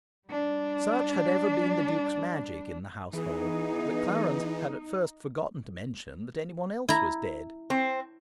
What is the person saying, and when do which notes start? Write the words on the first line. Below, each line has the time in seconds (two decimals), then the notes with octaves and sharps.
Such had ever been the Duke's magic in the household that Clarence had at first forgotten to mention that any one else was dead.
0.28 G3 D4
3.13 E3 B3 D#4 G#4
6.89 E4 A#5
7.70 C4